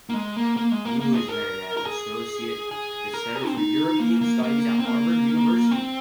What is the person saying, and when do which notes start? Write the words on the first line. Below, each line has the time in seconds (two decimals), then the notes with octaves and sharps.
He was then an associate at the Center for European Studies at Harvard University.
0.09 A#3
0.14 G#3
0.36 A#3
0.57 A#3
0.71 G#3
0.85 A#3
1.00 A#3
1.14 G#4
1.28 A#4
1.77 A#4
1.86 G#4
2.71 G#4
3.14 A#4
3.35 G#4
3.47 C4
3.57 D#4
4.00 A#3
4.21 A#3
4.43 A#3
4.79 C4
4.85 A#3
5.71 C4